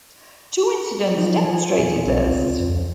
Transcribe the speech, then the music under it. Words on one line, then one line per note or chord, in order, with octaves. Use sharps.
Two incidents demonstrated this.
F3 F#3 D#4 F4
F3 G#5
E2 B2
B1 C4 C#4 F4
C#2
F2